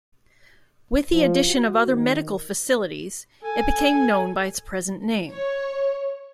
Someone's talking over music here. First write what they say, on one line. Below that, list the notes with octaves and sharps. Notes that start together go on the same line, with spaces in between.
With the addition of other medical facilities, it became known by its present name.
F3
F#4
D#3
A4 G#5
C#5